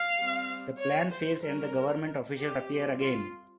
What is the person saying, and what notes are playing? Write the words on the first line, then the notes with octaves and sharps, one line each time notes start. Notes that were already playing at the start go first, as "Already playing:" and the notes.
The plan fails and the government officials appear again.
Already playing: F5
G3 C4
C#5
C5
G3 C#4 A#4
G4
G3 C4
F4